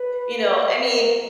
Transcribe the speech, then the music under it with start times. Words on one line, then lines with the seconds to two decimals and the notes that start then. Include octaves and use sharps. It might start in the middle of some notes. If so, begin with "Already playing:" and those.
you know I mean,
Already playing: B4
0.60 C#5
0.69 D#5
0.80 B4
0.89 A#4